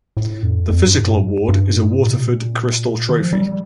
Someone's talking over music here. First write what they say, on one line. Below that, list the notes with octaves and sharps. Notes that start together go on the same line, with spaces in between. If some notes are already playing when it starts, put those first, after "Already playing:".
The physical award is a Waterford crystal trophy.
A2
F2
F2
G2
A2
G2
G2
A2
A#2
C3
A#2
D#3
F3
G3